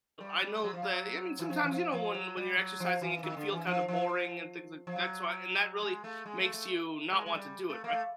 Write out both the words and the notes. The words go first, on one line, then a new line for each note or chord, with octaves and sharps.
I know that I mean, sometimes, you know, when when you're exercising, it can feel kinda boring and things like that's why and that really makes you not want to do it, right?
G3
G3
F#3
F3
F#3
E3
F3
E3
F3
F3
F#3
G3
F#3
F3
E3
D#3
D3
E3
F3
F3
F3
F#3
G#3
A3
G#3
A3
A3
G#3
G#3
G3
A3
A#3
A3